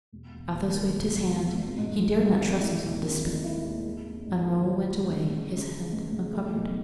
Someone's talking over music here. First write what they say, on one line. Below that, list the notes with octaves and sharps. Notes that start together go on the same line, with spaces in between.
Athos waved his hand--he dared not trust himself to speak: and Raoul went away, his head uncovered.
E1
E1
D#2
D#3
E1
E1
G#1
G#1
G#2
F#3
G#1
G#1
E4
D#2
D#3
A3
E4
D#2
G#3
A1
G#2
D#3
G#3
A1
C#2
C#2
C#3
G#3
C#2
C#2
A3
B1